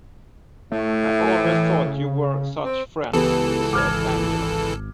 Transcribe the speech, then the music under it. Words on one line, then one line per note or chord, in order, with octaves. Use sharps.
"I always thought you were such friends," said Angela.
A2 A3
E3
C#3
C4
C#2 E3 B3 G4 A4
G#1 D6 F6 G#6